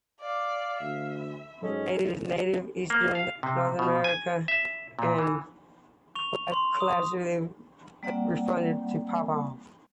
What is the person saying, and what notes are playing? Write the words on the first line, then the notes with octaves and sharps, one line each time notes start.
It is native to eastern North America and collectively referred to as pawpaw.
D5 F5
D2 E5
G#2 F#3 C#4 A4 D#5
A#3
F5
C3
B2
G#5
E5
A#2
E3
C#6 F7
C6
D#6
G3 A#3 C4 D5 F#5